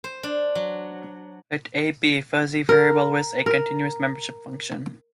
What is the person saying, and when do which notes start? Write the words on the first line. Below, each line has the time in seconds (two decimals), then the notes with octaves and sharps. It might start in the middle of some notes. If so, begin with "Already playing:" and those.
Let "A" be a fuzzy variable with a continuous membership function.
0.04 C5
0.23 D4
0.55 F#3
2.69 A#4
3.46 A#4